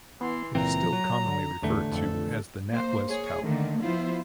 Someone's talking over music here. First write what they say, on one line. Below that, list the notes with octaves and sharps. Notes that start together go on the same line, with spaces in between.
It is still commonly referred to as the NatWest Tower.
E3 B3 C6
C#2 A#2 E3 C4 A#5
F#3
D3
A1 E2 D3 A3
F2 A4
A#3 C5
G#4 C#5
D3 D#3 A3 A#3
F3 B3 E4 F4 C5 E5